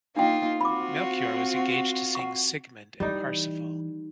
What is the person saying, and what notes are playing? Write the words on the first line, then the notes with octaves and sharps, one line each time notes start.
Melchior was engaged to sing Siegmund and Parsifal.
A#3 D4 D#4 F4 G5
C4 F4 F#4 B5 D6
F#5 C#6
E3 G3 D#4